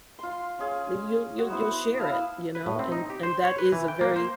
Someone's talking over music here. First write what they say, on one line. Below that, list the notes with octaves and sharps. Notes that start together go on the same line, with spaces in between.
And you'll you'll you'll share it, you know? And and that is a very
F4 C6
C#4 G#4 F5
F#4
B3 E4 C5
E4 F5 A5 D#6
B4
A2
C4
D#4
G4
C5
C#5
B4
E3
G5
A#3
C5